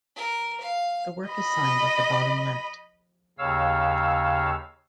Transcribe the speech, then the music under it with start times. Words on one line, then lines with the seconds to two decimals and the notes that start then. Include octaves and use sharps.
The work is signed at the bottom left.
0.16 A#4
0.60 F5
1.29 D#5 B5
3.39 D#2 C#3 C#5 F5 E6